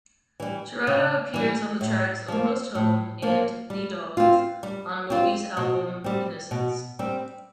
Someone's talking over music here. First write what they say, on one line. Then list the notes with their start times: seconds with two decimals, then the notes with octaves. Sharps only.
Jurado appears on the tracks "Almost Home" and "The Dogs" on Moby's album "Innocents".
0.40 E3 G3
0.87 C#3
1.34 E3 G3
1.81 A2
2.28 F3 A#3
2.75 A2
3.22 F3 A#3
3.70 G3
4.17 C4 F4
4.63 G3
5.10 C4 F4
5.57 B2
6.04 G3 C4
6.51 B2
6.99 G3 C4